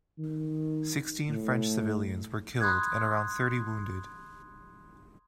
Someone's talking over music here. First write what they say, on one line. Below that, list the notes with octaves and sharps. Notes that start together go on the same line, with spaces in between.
Sixteen French civilians were killed and around thirty wounded.
D#3
A2
B5 C6 D#6 F#6 G#6